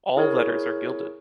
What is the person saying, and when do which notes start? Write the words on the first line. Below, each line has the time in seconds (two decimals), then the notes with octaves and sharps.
All letters are gilded.
0.17 E4 G#4 A#4 C#5